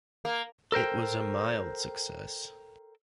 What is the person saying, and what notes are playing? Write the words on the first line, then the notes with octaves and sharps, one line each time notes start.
It was a mild success.
A#3
A4 A#4 C5 G5